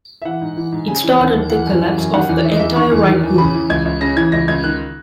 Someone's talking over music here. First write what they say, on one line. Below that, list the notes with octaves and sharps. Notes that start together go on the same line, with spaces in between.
It started the collapse of the entire Wright group.
E5
E3 F#5
G#2
E3
G#2
C#3 G#5
E3
D#2 F#5
D#2
E3 F#5
F#2
E3
F#2
D#3 F#5
E2
D#3 E5
D#5
E2 E5
D#3 C#6
E2
D#3
E2
C#3 B5
E3
C#2 G#6
C#2
C#3 A#6
E3 G#6
C#2 A#6
C#2 G#6
D#3 F#6